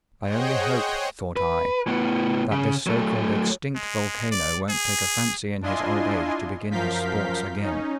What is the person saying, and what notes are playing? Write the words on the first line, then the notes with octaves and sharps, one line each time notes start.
I only hope, thought I, that this so-called extinct volcano won't take a fancy in his old age to begin his sports again!
G#4 C5 C#5 D#5 F#5 G5
B4
A2 B3
C#3
F#3 A3
G#3
D5
G#4
D4 E4 F4 D#5 G#5 C6
F#2 F3 A#4 F5 G6 B6
C#4 D#4